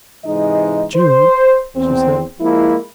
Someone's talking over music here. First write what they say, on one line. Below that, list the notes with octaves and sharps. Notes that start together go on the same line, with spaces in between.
"Jude," she said.
G#2 C3 E3 G#3 D#4 D#5
C5
E2 C4
F3 G#3 A#3 E4